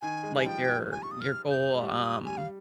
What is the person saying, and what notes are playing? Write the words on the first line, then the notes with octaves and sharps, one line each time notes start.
like, your your goal, um
D#3 G#5
G#3
G3 G#5
F3 G5
G#5
C#6
D#6
F6
G6
G#3
G3
D#6
G3 G#5
F5